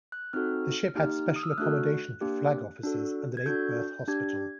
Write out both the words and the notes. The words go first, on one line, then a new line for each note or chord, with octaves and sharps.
The ship had special accommodation for flag officers and an eight-berth hospital.
F#6
C4 D#4 F#4 A4 F6
A#3 D#4 G4 F6
D#6
E6
F6
A3 D4 F#4 A4 F#6
A#3 D4 G4
D4 F#4 A4
G#6
D4 F#4 A4 G6
D4 G4 G#6